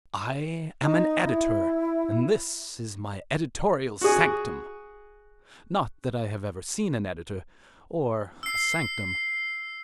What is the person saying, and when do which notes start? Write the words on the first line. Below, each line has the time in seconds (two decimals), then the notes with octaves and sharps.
"I am an editor, and this is my editorial sanctum." Not that I have ever seen an editor or a sanctum.
0.82 D#4
1.25 E4
4.01 F#4 G#4
8.43 E6 C7